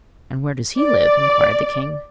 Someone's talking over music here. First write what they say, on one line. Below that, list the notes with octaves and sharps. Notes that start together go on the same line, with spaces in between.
'And where does he live?' inquired the king.
D5